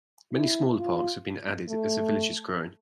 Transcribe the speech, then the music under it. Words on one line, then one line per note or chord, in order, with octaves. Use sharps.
Many smaller parks have been added as the village has grown.
E4
F4
A3